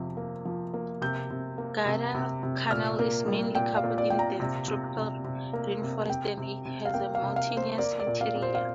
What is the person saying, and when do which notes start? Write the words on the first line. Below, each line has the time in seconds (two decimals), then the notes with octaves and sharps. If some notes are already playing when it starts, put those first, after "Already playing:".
Guadalcanal is mainly covered in dense tropical rainforest and it has a mountainous interior.
Already playing: F2 C3 F3
0.17 A#3
0.45 F3
0.74 A#3
1.02 C3 G6
1.30 C3
1.58 A#3
1.86 C3
2.15 C3
2.43 C3
2.71 A#2 F6
2.99 A#3
3.28 G3
3.55 A#2 G5
3.77 F5
3.84 A#2
3.98 D5
4.10 A#2 G5
4.19 A#5
4.40 C3
4.68 C3
4.96 C3
5.24 C3
5.53 A#3
5.82 C3
6.09 C3 G5
6.37 C3
6.65 C3
6.85 F5
6.94 A#3 G5
7.15 F5
7.22 C3
7.36 F5
7.50 A#3
7.57 C5
7.78 A#3 D5
8.00 D5
8.07 A#2
8.21 F5
8.35 A#2
8.42 C5
8.55 F5